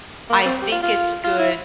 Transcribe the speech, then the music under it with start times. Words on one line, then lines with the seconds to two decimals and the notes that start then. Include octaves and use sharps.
I think it's good
0.30 A#3
0.46 C4
0.62 G4
0.72 F4
0.83 F4
1.24 F4
1.39 E4